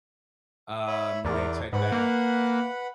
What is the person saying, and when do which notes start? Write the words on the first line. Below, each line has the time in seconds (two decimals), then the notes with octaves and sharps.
um, you may check that, uh,
0.88 C#5 E5 B5
1.25 E2 A#4 D5
1.73 G#2 B4 F#5 B5
1.92 A#3